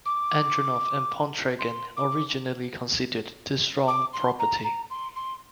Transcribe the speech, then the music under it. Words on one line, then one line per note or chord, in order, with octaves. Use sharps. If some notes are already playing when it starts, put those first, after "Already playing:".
Andronov and Pontryagin originally considered the strong property.
D6
C6
D6
D6
C6
A#5
A#5
C6
C6